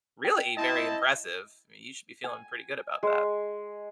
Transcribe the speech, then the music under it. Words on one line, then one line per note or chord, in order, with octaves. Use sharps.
really very impressive. You should be feeling pretty good about that.
G5
C4 E4 D#5 A5
G#5
G#3